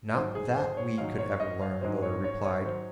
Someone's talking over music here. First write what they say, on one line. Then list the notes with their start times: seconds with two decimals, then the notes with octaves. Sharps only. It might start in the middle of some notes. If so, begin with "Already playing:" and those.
"Not that we could ever learn," Loder replied.
0.15 G#2 F#3 C5
0.35 G#4
0.57 C5
0.77 C#5
0.98 G#2 F#3 F5
1.19 C#5
1.40 D#5
1.62 F5
1.81 G#2 F#3 C5
2.02 C#5
2.24 C#5
2.44 C#5
2.65 F#3 C5